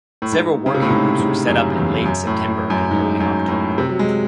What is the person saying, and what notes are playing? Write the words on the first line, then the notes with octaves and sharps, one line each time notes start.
Several working groups were set up in late September and early October.
A2
G#2
C#3
C3
A2
G#2
G#2
F#2
E2
F#2
A2
F#2
G#2
F#2
A2
C3
F#3
G#3